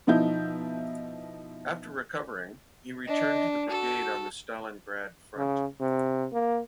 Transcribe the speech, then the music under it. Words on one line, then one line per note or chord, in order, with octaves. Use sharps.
After recovering he returned to the brigade on the Stalingrad front.
B2 F3 D#4 E4 G6
D4 D#5
F#4 A4
C#3
C3
A#3